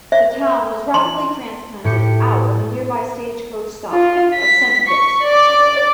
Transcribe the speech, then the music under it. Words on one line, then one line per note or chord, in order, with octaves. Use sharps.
The town was rapidly transplanted out of the nearby stagecoach stop of Senterfitt.
E5
C6
A2 G4 C#7
F4
B6
C#6
D5 D6